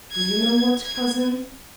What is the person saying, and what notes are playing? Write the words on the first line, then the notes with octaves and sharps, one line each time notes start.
Do you know what, cousin?
G#6
G#6